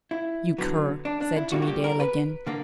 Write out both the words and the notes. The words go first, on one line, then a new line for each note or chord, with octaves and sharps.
"You cur!" said Jimmie Dale again.
E4
D3 F#3 B3
D4
D4
E4
A#2 G3 A#3 F#4
F#4
G4
A#4
B4
D3 A#3